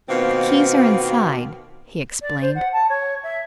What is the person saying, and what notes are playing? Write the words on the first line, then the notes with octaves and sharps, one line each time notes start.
"The keys are inside," he explained.
B2 D#3 A#3 C4 F4
D5
C5
F#5
A5
C#5
E5